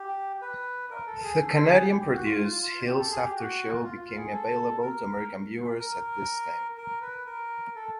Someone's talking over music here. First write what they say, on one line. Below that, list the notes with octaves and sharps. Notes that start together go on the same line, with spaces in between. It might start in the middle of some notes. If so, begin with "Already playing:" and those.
The Canadian-produced "Hills Aftershow" became available to American viewers at this time.
Already playing: G4
B4
A#4
A4
G#4
A4
G#4
G4
G4
F#4
F4
F4
F4
G4
A4
G#4
G4
F#4
F4
F4
G#4
A4
A#4
A#4
A#4
B4
A#4
A4